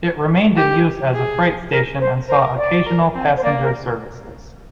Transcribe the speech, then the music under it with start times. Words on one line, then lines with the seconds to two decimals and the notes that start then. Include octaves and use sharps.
It remained in use as a freight station and saw occasional passenger services.
0.56 G4
1.14 G#4
1.71 A#4
2.00 C5
2.28 A#4 C5
2.57 D5
2.86 A#4
3.15 C4
3.37 C5
3.43 A#3 D5
3.63 A#4